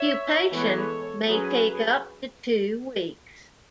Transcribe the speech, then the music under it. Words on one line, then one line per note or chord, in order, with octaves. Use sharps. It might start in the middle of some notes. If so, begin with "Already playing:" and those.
Pupation may take up to two weeks.
Already playing: C#5 E5
E3 G#3 B3 A4 C#5
F#3 C#4 G#4 B4